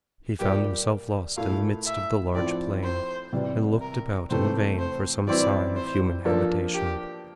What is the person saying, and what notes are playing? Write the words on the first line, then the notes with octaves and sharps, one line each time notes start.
He found himself lost in the midst of the large plain, and looked about in vain for some sign of human habitation.
A#2 G3 A#3 G4
A#2 A3 E4 F5
E5
A2 F3 C4 E4 D5
C5
C3 E3 G3
A#4
C3 E3 A3 C5
C5
E3 G3 C4 E4 D5
C5
F3 A#3 D4 A4
G4